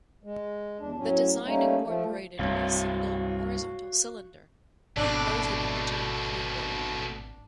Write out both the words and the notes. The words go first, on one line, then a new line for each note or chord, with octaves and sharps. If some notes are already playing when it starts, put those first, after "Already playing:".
The design incorporated a single horizontal cylinder enclosed in a return-flue boiler.
G#3
E2 D4
A2 F#3 C#4
G3 A3 A#3 C#4 D#4
F3 A3
C2 G2 F#4 C#5 F5
G#1 B2 A3 D4